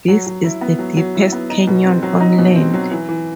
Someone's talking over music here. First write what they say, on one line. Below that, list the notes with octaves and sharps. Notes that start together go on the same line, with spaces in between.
This is the deepest canyon on land.
F#3
F#3
E4
B3
F#3
F#3
E4
B3
D#4
B2
C4
F#3
D#4
B2
C4
F#3
E3
E3